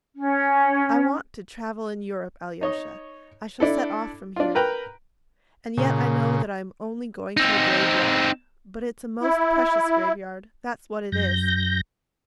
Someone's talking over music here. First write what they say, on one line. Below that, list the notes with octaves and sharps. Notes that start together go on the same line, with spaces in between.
I want to travel in Europe, Alyosha, I shall set off from here. And yet I know that I am only going to a graveyard, but it's a most precious graveyard, that's what it is!
C#4
D#4 C#5 D#5
D4 E4 A4
D4 F4
A#4 B4 G5 A#5
A#2 C#3
C4 D#4
E4
F#2 G6 A#6